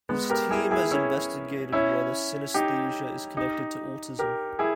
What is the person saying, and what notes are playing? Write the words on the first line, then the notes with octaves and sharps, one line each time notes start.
His team has investigated whether synaesthesia is connected to autism.
G#3 B3
G4 A#4
E4 G#4
E4 G#4
C#4 E4
C#4 E4
D#4 G4
D#4 G4
G4 A#4
E4 G#4